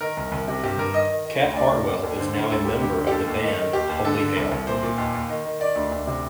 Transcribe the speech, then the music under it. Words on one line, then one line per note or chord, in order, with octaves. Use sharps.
Cat Hartwell is now a member of the band Holy Hail.
D#3 A#4
C2
C2
C3
G2 G4
G2 A#4
D#3 D#5
D#3
D#3
D2
D2 D5
C3
D#2
D#2
D3 C5
D3 C5
D2 A4
D2 G4
D3 G4
D3
G4
D#2 A4
D#2
D#3
D#3
D#2 G4
D#2
D3 A4
D3
C2
C2
A#2 C5
A#2
D#2
D#2
D#3
D#3
D#3 D5
D2
D2
C3